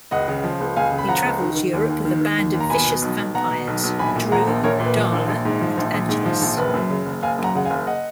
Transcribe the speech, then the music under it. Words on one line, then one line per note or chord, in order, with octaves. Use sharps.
He travels Europe with a band of vicious vampires, Dru, Darla, and Angelus.
C#2 D#5 F#5
C#3
F3
C#2
C#2 F5 G#5
C#3
B5
F3 F#5 A#5
C#2
D#3
D#3
D#2
D#2
D#3
D#3
D#2
D#2
A#5
B2 G#5 B5
B2
B1
B1
B2 F#5 A#5
B2
B1
B1
A#1 G#5 B5
A#2
F3 F#5 A#5
A#1
A#1 A#4 C#5
A#2
B4
F3
A#1
A#1
G#2
F3
A#1
A#1
G#2
F3
A#1
F#1 B4
F#2
C#3
F#1
F#1 F5 G#5
F#2
F#5 A#5
C#3 F#5
F5 G#5
F#1
D#5 F#5